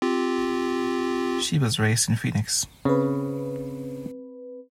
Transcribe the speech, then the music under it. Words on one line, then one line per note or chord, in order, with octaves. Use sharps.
She was raised in Phoenix.
C4 F4 G4
C#3 C4 B4